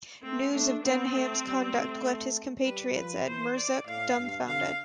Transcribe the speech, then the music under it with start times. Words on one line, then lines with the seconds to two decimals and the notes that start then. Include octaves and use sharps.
News of Denham's conduct left his compatriots at Murzuk dumbfounded.
0.22 A3 C4
0.54 A3 D4
0.83 B3 C4
1.13 A3
1.44 G3
1.75 A3
2.65 G3 B4
2.95 F3 B4
3.26 E3 C5
3.56 D5
3.86 A2 F5
4.16 G2
4.47 D3 F5